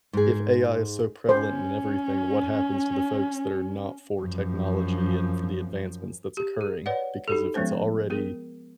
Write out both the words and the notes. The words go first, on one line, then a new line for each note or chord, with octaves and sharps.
if AI is so prevalent in everything, what happens to the folks that are not for technology and for the advancements that's occurring? Because if it's already,
G#2 G#4
C#4 C5
F#2 F3
G4
G#4
B4 C#5 D5 F#5
D#4 G4 A4
F3 G#3 B3 C#4 C5
B3 G#4 A#4